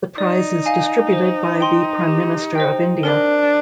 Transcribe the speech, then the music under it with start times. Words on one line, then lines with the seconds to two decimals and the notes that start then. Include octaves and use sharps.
The prize is distributed by the Prime Minister of India.
0.18 D#4 D5
0.66 F5 G#5
1.13 C5
1.60 G5 C6
2.07 G4
2.55 C5 D#5 G5
3.03 D4 A#4